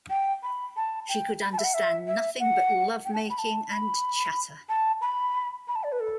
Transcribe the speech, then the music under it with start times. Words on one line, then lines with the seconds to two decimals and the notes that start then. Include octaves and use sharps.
She could understand nothing but love-making and chatter.
0.10 G5
0.43 B5
0.77 A5
1.09 G5
1.41 B5
1.53 A5
1.58 E5
1.64 F#5
1.74 E5
2.07 E5
2.40 F#5
3.05 G5
3.14 A5
3.30 B5
3.38 A5
3.71 B5
4.69 A5
5.01 B5
5.68 B5
5.75 A5
5.83 D5
5.92 B4
6.00 A4